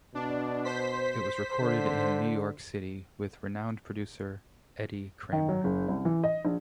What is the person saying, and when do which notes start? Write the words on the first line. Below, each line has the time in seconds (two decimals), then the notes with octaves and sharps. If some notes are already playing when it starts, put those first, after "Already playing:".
It was recorded in New York City with renowned producer Eddie Kramer.
0.15 B2 D4
0.65 C5 B6
1.62 D3
5.32 D#3
5.49 F#3
5.64 F#1
5.88 C2
6.05 E3
6.24 D#5
6.45 A#1